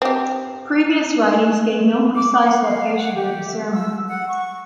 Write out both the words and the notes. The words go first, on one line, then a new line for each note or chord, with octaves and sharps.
Previous writings gave no precise location for the sermon.
C4 G4
D6
F#5
F5
F#5
G4
E5
E6
F#5
C#6